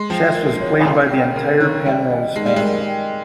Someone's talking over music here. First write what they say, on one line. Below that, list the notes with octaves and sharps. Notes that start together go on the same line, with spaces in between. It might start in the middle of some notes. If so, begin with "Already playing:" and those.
Chess was played by the entire Penrose family.
Already playing: G#3 C6
F3 G5
A#4
C#5
C#3 C6
G5
C#3 A#4
D#3 C#5
G3 G5
D#5
G#3 D#4
G3
G#3
A#4
G5